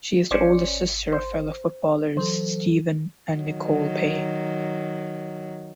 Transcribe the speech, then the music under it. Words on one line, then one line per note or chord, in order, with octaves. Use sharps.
She is the older sister of fellow footballers Stephen and Nicole Payne.
G#1 C#4 C5 D5 C#7
C5
E3 F#3 A4 C5
D#3 F#3